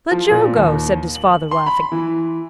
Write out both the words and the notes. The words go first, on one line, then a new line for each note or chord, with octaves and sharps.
"Let Joe go," said-his father, laughing.
F3
A#2
D#2
F#7
C6
B5
E3